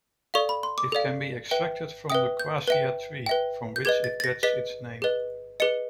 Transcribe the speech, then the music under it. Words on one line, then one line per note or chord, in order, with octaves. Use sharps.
It can be extracted from the quassia tree, from which it gets its name.
A4 D5 F5 C#6
B5
C6
D6
A4 D5 F5
B4 E5 G5
B4 E5 G5 D#6
G6
B4 E5 G5
B4 E5 G5
G6
G#4 B4 D#5 G#6
A6
A6
A#6
G#4 B4 D#5 B6
G#4 B4 D#5
G#4 B4 D#5 C#7